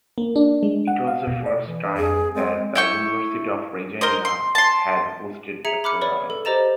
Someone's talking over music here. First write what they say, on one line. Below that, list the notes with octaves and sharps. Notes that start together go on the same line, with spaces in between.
It was the first time that the University of Regina had hosted the tournament.
A#3
D4
G#3
F#5
F5
B2
D5
E3
B4
F2 G#4
G#3 C4
E4 G5 C#6
A#4 C5 D#5
C6
A5 C6
G#4 E5 A#5 G#6 C#7 F7
B5 D6 F6 F#6 C#7
B4 C#5 D5 B5
A4
G4 C5 D#5 A#5 A6 E7